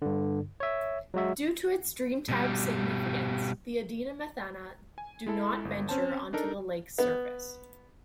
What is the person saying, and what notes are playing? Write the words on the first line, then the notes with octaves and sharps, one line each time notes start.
Due to its Dreamtime significance the Adnyamathanha do not venture onto the lake's surface.
G2 D3
C#5 E5
F#3 G#3 F#4 E5
B2 G3
G#5
G#3 E4 A4
G1
C4 C#4 C5 A5
D4 D#4 A4 A#4
B3